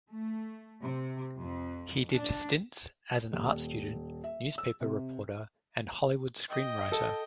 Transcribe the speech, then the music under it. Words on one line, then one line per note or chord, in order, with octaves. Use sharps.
He did stints as an art student, newspaper reporter and Hollywood screenwriter.
A3
C3
F2
D4
D#1
E5
E6
C3
D#5 G5
A4